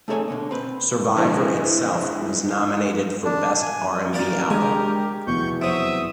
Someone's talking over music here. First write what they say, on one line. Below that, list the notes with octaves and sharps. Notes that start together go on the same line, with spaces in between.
"Survivor" itself was nominated for Best R and B Album.
A3 D#4 G#4 A4 C#5 G#5
B2 D3 A#3
C4 B4
D3 E3 F3 G#3 C4 E4
D4
G#5
A#3 G4 A#4 D5
G#3 D4 G4 G#5
F1 E2 B2 C#6 G6
C3 F#3 E5 D#6